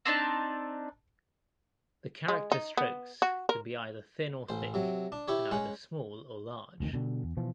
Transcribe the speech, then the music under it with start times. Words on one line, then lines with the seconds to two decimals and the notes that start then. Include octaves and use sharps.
The character strokes can be either thin or thick and either small or large.
0.05 C4 D4 D#4 A5
2.28 G#3
2.52 D#4
2.77 B3
3.22 F#4
3.49 A#4
4.49 A1 C5
4.74 C3 F#3
5.12 D4
5.28 E4 G4 C#5
5.51 G#3 C#4 F#5
6.80 F1 D2 A#2 D#3
6.93 B2 D3 G3
7.24 E2
7.37 B2 E3 F3